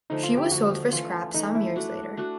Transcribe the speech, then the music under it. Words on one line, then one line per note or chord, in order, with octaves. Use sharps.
She was sold for scrap some years later.
D3 F3 A3 D#4
F4
G4
D3 F3 A3 F#4
E3 A3 C#4 F4
E3 A3 C#4 D#4
E4
A3 D4 F#4
A3 D4 F#4